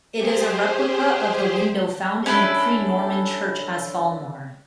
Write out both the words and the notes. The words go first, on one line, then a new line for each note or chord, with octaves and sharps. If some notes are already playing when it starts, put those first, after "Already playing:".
It is a replica of the window found in the pre-Norman Church as Falmore.
G4 G#4 C5
C#4 D4 E4 A4